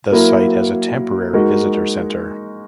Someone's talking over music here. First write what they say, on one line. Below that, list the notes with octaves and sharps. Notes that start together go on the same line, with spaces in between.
The site has a temporary visitor center.
F#3 A#3 E4 A#4
G#3 D#4 F#4 A#4